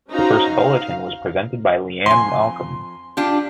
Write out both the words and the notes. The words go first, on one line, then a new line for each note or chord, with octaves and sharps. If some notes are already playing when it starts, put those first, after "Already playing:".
The first bulletin was presented by Leanne Malcolm.
C#4 D#4 F#4 C5 F5 A#5
F5
F2 G#5 C6
D4 F4 G4